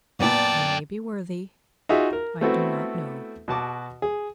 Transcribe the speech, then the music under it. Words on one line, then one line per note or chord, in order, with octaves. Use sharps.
You may be worthy; I do not know.
F#2 A#2 B3 D5 G5 A5
D#4 F4 F#4 G#4 E5
A#4
A3 B3 C4 E4 F#4 A4
B2 F#4 A5 D6
G#4